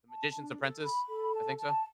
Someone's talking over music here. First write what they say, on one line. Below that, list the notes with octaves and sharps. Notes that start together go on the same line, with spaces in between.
The Magician's Apprentice? I think so.
A5
D4
A4
B5
A4
A5
A5